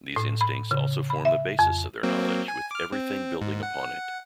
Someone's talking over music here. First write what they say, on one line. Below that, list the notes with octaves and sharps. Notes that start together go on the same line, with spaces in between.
These instincts also form the basis of their knowledge with everything building upon it.
A2
B5
C#3
B5
E5
F2
F#3 A#3 C4
G#5
D6 F6
C4
G#2
F#5